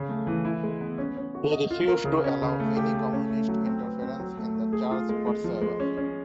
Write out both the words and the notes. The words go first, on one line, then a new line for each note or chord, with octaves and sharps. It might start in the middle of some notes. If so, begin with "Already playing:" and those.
He refused to allow any Communist interference in the Church whatsoever.
Already playing: C#3
A3
E3
E4
G#3
B3
C#4
C#4
F#4
D#5
F4
A#4
C#3
C#4
C#3
A3
G4
A3
C#4
A3
F#3
C4
B4
C4
F#3
A3
A3
G#4
F4
G#3
G#3
F3
G#3
C#4
C#4